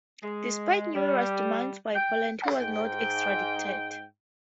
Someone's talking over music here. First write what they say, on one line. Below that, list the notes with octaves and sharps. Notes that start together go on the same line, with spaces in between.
Despite numerous demands by Poland, he was not extradited.
G#3
G3
G5
G#2 G5